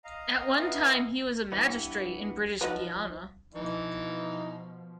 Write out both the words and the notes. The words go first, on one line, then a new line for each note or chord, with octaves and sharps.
At one time he was a magistrate in British Guiana.
D#5 F5 A#5
E3 B3 E4
G2 E3 B3
F3 D#4 F#4 B4
B2 E3 F3 D#4